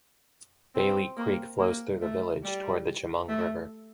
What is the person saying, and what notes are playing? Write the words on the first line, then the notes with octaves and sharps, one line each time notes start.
Bailey Creek flows through the village toward the Chemung River.
C4
A#3
A#3
A3
G3
A3